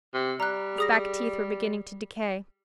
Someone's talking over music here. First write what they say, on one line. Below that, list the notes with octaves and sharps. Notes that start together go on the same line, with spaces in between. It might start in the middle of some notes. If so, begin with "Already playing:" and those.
His back teeth were beginning to decay.
C3
G3 A#5 F#6
G#4 D#6 A#6